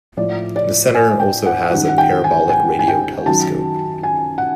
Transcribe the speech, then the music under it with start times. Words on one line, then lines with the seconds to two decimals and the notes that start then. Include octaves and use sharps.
The centre also has a parabolic radio telescope.
0.17 A2 F3 D5
0.56 D5
0.95 G#5
1.20 G5
1.46 F#5
1.71 F#2 D#3 G3 F#5
1.89 F#5
1.98 G5
2.24 G#5
2.50 G#5
2.79 G#5
2.88 G5
3.26 F#2 D#3 F#3 A5
4.03 G#5
4.38 F#5